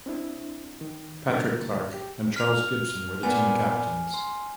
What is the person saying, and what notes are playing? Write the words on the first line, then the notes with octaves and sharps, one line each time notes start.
Patrick Clark and Charles Gibson were the team captains.
C4 D4 E4
D#3
G2 D3 A#3 A#4 A6
G4
F6 F7
A#2 B3 G#5
C6